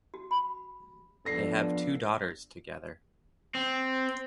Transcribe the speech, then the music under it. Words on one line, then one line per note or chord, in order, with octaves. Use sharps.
They have two daughters together.
F#4
B5
F3 B3 D4 A4 A#6 C7
C4